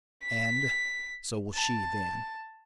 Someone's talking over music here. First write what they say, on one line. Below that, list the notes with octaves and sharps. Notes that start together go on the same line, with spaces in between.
And--so will she, then.
B6
A5